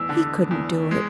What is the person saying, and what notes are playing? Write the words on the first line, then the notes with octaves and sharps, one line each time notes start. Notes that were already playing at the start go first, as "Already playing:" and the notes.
He couldn't do it.
Already playing: E2 E6
D3
E2
G#3